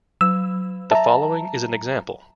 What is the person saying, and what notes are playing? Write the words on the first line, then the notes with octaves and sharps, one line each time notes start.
The following is an example.
F#3 E6
E5 A5 A#5